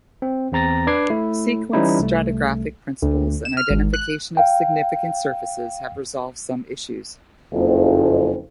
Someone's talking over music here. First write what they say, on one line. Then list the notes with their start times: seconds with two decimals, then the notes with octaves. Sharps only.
Sequence stratigraphic principles and identification of significant surfaces have resolved some issues.
0.22 C4
0.52 E2 C4 A#5 A6 A#6
0.87 D4 B4 D6 G#6 C7
1.10 A3 E4
1.73 E3 G3 C#4 D#4 E4
1.99 C2 A3
3.02 D2
3.45 E7
3.57 F6
3.70 G#1
3.94 F#6
4.37 F5 G5
7.52 F#1 F2